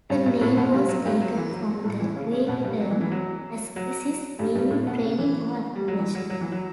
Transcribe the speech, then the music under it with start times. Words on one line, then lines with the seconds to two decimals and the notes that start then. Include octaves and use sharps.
The name was taken from the Greek term "Askesis", meaning 'training' or 'application'.
0.10 G2 G3
0.26 G2 G3
0.41 A2 A3
0.57 B2 B3
0.73 G2 G3
0.88 F#3
1.05 G2 G3
1.21 F#3
1.37 E3
1.53 F#3
1.84 A2 A3
2.00 E3 E4
2.16 C#3 C#4
2.32 C#3 C#4
2.48 B2 B3
2.64 G2 G3
2.80 F#3
2.90 E3
3.01 E3
3.11 F#3
3.76 F#3
4.39 G2 G3
4.55 G2 G3
4.71 A2 A3
4.87 B2 B3
5.03 C#3 C#4
5.18 E3
5.75 G3
5.88 F#3
5.99 E3
6.15 F#3
6.30 F#3
6.41 E3
6.52 F#3